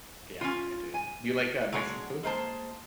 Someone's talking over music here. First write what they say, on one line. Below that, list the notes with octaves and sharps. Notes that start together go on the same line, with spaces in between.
Yeah, it is. Do you like, uh, Mexican food?
C#4 F4
G#5
F#3 G#3 D4
G#3 A#3 C5 A5